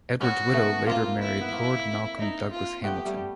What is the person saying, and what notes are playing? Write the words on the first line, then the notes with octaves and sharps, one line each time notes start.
Edward's widow later married Lord Malcolm Douglas-Hamilton.
B3 C#4 F#4
A3 B3
A#3 C4 F4
E4
B3
A#3 C4
D#4
F4
A3 B3 G4
G3 A3